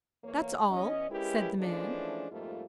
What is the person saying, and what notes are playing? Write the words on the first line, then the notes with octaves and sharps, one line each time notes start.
"That's all," said the man.
E2 A#3 C#5
E2 C#4 D#5
G#3 C#4 E4 G4 A#4 B4
E3 F3 G#3 A3 C#4 D4
F2 G#2 G3 A3 A#3 F4